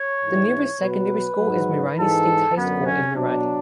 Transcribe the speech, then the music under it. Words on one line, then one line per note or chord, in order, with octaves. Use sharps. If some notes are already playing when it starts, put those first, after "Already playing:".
The nearest secondary school is Mirani State High School in Mirani.
Already playing: C#5
G#2 E3
B2 F#3 B4
G#2 F#3
G#2 E3 A4
F#2 D3 F#3 B3
C#4
B2 F#3 D4